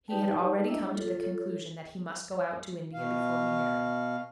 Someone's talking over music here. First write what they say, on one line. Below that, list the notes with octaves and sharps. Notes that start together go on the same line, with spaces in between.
He had already come to the conclusion that he must go out to India before he married.
D#4 G4 B4 D5 G5 A5
A#3 D4 E4 D#5 E5
F4 A4 C#5
B2 F5